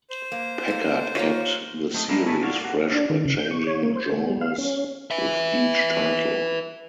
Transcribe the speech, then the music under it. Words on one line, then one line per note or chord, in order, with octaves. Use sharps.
Packard kept the series fresh by changing genres with each title.
C5
A#3
A3 A#3
A#3 F4 C#5
A3 C4 D#4
G#3 D4 E4 A#4 F5
A3 E4 G#4 A4 B4
F4 F#4 A4 C#5 D5 F5
A#3 F#4
D4
D#3
C#3
G6
C#6
C#5
A#3
C5
A3
G3
F5
C#4
B4 E5